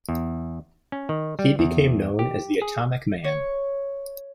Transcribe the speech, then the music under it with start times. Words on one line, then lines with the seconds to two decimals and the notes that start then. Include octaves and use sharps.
He became known as the 'Atomic Man'.
0.09 E2
0.92 C#4
1.09 D#3
1.39 G3
1.59 E2
2.19 G4
2.62 G#4
3.24 C#5